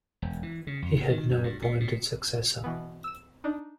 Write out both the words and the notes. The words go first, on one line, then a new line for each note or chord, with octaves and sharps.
He had no appointed successor.
E1
E3
C#3
F2
A#2
D#3
F#2
G2
B2
B2
B2 E3 B3
E6 E7
D4 D#4